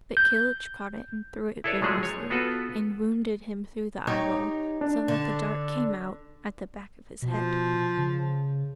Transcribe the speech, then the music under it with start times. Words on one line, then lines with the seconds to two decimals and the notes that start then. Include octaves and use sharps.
But Kilhuch caught it and threw it vigorously, and wounded him through the eyeball, so that the dart came out at the back of his head.
0.17 G6
1.64 E4 G#4 A4 B4 C#5 D5
1.82 F3 F#3 G#3 A3 G#4 A4
2.03 C#5
2.30 B3 F4 F#4 A4 B4
4.07 D#4 G4 C#5
4.81 D4
5.08 D3
7.22 B2 F3
7.97 C#3